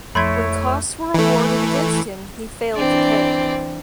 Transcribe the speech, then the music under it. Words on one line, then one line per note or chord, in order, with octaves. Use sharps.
When costs were awarded against him he failed to pay.
F2 A3 E4 C#5 B5 C6 G#6
E3 A3
E3 C4 D4 D5